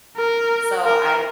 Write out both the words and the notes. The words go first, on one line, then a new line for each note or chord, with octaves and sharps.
so I
A#4
A#4